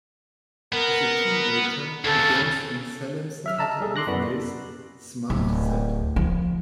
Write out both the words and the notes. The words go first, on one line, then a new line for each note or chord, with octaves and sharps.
As a teenager, she danced in Salem Tutt Whitney's "Smart Set".
B3 A#4
D2 C#3 A4
F#3 E5 F6
D#5 A5 A#5 E6
G3 G#4 A4
C6 D6 F#6 A#6
F#2 B3 E4 D5 B5 C#6
D1
F3